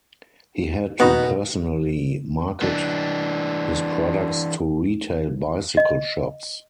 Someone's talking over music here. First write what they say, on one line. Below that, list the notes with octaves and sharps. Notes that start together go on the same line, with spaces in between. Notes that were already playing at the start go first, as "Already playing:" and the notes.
He had to personally market his products to retail bicycle shops.
B2 B3 D#4 F#4
E3 D4
D#5